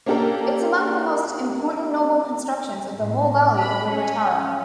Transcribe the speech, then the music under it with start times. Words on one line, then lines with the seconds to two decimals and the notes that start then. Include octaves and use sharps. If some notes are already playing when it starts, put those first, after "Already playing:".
It's among the most important noble constructions in the whole valley of river Taro.
0.06 A#3 C#4 D4 G4 A4 A#4
2.95 A2
3.58 B5
3.90 C#4